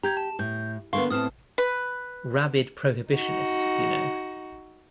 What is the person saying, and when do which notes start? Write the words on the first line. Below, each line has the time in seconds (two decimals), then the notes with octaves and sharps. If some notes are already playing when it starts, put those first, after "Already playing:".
Rabid prohibitionist, you know.
0.03 G4 A#5 G6 G#6
0.17 A5
0.39 A2 G6
0.93 D3 A#3 B3 F5 C6 C#6
1.11 A2 C4 A5 D#6 F6
1.58 B4
3.10 D#4 F#4